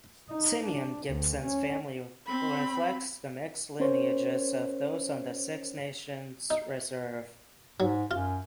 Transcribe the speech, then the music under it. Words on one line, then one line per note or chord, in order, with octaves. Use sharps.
Simeon Gibson’s family reflects the mixed lineages of those on the Six Nations Reserve.
D#4
D4
D2
C#4
C4 B5
C#4 A#4 C5 C#5
D#4
G#2 F#3
F#2 F4